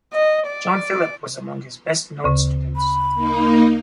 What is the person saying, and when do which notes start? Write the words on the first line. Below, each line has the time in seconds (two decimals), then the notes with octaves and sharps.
John Phillip was among his best known students.
0.13 D#5
0.46 D5
2.24 D2 C#3
2.76 B5
3.15 A#3 D#4